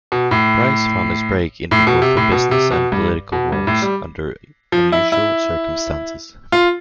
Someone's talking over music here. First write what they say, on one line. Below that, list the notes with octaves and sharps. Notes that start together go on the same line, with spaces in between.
Brice found his break into both the business and political worlds under unusual circumstances.
B2
A2
A2
B2
C3
A2
B2
C3
B2
G2
B2
G2
A2
G3
F3
E4
E4
F4